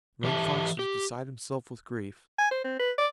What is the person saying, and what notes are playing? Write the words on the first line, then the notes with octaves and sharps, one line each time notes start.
Running Fox was beside himself with grief.
E3 G4 D#5 E5 A5
G4
G#5
C5
C4
B4
D5